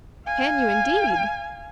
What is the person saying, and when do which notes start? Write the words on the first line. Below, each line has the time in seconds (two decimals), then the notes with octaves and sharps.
"Can you, indeed!"
0.25 F5 G#5